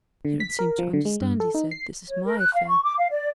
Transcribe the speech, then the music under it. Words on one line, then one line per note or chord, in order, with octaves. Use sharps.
"You don't seem to understand," he said, "this is my affair."
D3
B6
A#4
F3
D3
G#3
G2
A4
D#4
C7
C#5
A#4
F#6
F5
C#6
D6
F5
D5